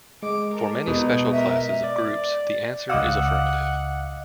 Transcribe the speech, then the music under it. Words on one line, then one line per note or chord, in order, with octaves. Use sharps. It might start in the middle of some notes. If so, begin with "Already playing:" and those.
For many special classes of groups, the answer is affirmative.
G#3 D6
A4 A#4
B2 D#4
A#4 D#5 E5
D5
C#2 D#5 F5 F#5 D6 E6